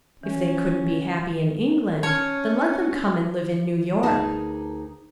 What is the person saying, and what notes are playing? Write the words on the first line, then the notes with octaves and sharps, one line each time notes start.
If they couldn't be happy in England, then let them come and live in New York.
E3 C#4
C#4 C#5 A5 F6
D2 D#4 G#4 A#4 B4 A5